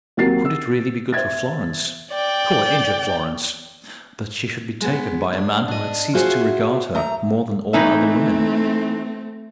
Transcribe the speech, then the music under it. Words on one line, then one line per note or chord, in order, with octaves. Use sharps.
Could it really be good for Florence--poor injured Florence, that she should be taken by a man who had ceased to regard her more than all other women?
D#2 F#3 C4 A#4 A6 C7
E6
C5 E5 G#6 A6
D5 G5
G#3 B3
D4
D4 D#5
F4 F#4 G#4 C5 E5
A3 A#5
E3 A3 C4 D#4 E5